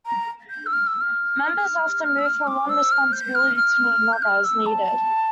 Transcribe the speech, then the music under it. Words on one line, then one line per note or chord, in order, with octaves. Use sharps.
Members often move from one responsibility to another, as needed.
A#5
G6
E6
F6
E6
F6
F6
E6
F6
D6
E6
F6
G6
F6
F6
G6
F6
E6
A5